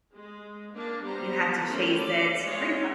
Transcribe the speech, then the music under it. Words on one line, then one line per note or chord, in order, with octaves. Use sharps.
you have to chase it pretty much
G#3
A#3 D4
G3 B3 C5 A#5
A3 A#3 C#4 E4 G4 C5
D5
G#3 F4 C#5